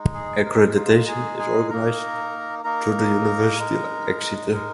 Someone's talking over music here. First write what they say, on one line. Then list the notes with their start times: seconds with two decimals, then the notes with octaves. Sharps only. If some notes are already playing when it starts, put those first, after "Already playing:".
Accreditation is organised through the University of Exeter.
Already playing: G#3 D#4
0.14 G#4
0.46 A#4
0.76 G#3 D#4 F4 F5
1.08 G#4 G#5
1.39 G#4 G#5
1.70 A#3 D#4 A#4 A#5
2.64 A#3 D#4 A#4 A#5
3.59 G#3 D#4
4.52 G#3 D#4 A#4